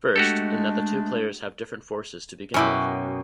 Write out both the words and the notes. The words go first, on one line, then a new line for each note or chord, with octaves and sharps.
First, in that the two players have different forces to begin with.
G#3 A3 D4 F#4 G4 A4
F#2 B2 C#4 E4 G4